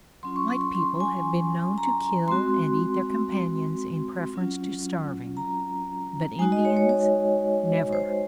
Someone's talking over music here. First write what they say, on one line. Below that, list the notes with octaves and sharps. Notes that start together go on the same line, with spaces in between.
White people have been known to kill and eat their companions in preference to starving; but Indians--never!
F#3 C#4 F4 C6
C#6
C6
C6
C6
G#5
A#5
G#3 C4 F#4 C6
F#3 C#4 F4
A#5
G#3 D#4 F#4 G#5
D#5
C#5
C#5
C#5
C5